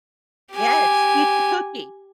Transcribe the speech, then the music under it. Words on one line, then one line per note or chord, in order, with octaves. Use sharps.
Yes, eat the cookie.
G4 G#5